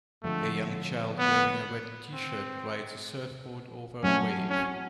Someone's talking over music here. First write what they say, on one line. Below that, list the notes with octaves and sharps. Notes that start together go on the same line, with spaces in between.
A young child wearing a red tshirt rides a surfboard over a wave.
D3 F3 G#3 A3 C4
B3
C4
F#3 A3 C4 C#4 E4 A4
C#4